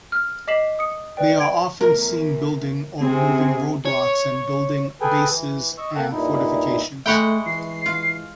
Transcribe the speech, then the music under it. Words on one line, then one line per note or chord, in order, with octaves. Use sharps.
They are often seen building or removing road blocks and building bases and fortifications.
F6
D#5 D6 B6 C7 E7 F#7
D#6 C#7
B4 D5 G5
G5 G#6 D7
E2 A#4
C3 C4 C#4 G#4
C#5
G#4 A4 B4 G5 G#5
E3
D#5 C#6 E6
A#3 A4 F#5 G5
G2 A#2 D#4 E4
G#3 A3 E5 F#5 G5 B5 C#6
E3 C7
F4